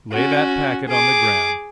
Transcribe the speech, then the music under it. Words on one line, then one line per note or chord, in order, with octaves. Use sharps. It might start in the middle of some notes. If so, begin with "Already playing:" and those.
"Lay that packet on the ground."
C#4 F#4
G#4 D6